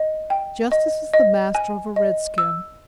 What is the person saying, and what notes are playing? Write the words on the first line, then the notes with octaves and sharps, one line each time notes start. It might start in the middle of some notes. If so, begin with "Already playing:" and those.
Justice is the master of a red-skin.
Already playing: D#5
G5
D#5
D#5
G#5
D#5
E6